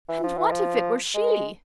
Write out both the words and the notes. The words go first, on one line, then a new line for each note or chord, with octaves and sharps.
And what if it were she!
E3
F3
E3
F3
G#3